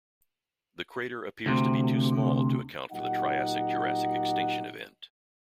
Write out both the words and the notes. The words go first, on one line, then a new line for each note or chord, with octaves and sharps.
The crater appears to be too small to account for the Triassic-Jurassic extinction event.
D2 C3
A#2 F#3 D#4 G4 F#5